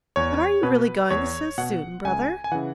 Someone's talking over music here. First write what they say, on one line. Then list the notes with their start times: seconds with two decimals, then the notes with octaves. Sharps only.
"But are you really going so soon, brother?"
0.16 E2 C#5
0.63 B2 B4
1.10 E2 C#5
1.58 B2 F#5
2.04 C#2 G#5
2.44 G#5
2.52 C#3 E3 F#5